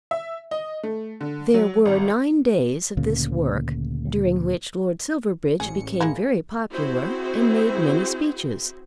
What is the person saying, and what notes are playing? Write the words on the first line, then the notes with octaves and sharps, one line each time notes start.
There were nine days of this work, during which Lord Silverbridge became very popular and made many speeches.
E5
D#5
A3
D3
F#3
G#1
D2 A#2 C#3
A1 G#4 C#7
G#3 A#3 E4
C4 E4 F#4 G#4 C5